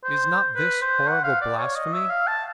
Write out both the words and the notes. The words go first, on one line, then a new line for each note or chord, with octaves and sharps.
Is not this horrible blasphemy?
C5
B4
C5
F#5
F5
D5
C#5
D#5
E5
F5
A5